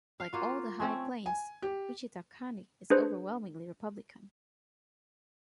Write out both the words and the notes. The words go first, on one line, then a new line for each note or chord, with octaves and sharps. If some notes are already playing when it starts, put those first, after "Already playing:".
Like all the High Plains, Wichita County is overwhelmingly Republican.
F5
A#3 F4 F#4
A3 C4 C#4
G#5
G4
D4 G#4 B4 C5